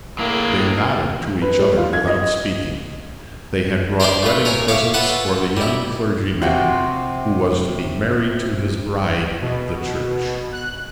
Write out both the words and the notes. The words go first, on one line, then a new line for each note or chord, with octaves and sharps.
They nodded to each other without speaking: they had brought wedding-presents for the young clergyman, who was to be married to his bride--the Church.
A2 A#3 D4 G#4
B4
G3
F4
G#6
D#5
A#4 C5 D5 G#5 B5 C6
A3 F4 B4
A#4 C#5 G#5
C#5 E5 F5 C#6 D6
F4 A4 B4 E5 F#5 A5
G3 E4
C3 F3 C4 F#4
B2
F#6